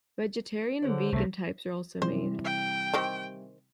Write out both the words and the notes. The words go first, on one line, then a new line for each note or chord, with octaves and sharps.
Vegetarian and vegan types are also made.
D3 G#4 C5 C#5
C2 B2 A3
C3 E3 G3 C5
G5
D#3 C4 G4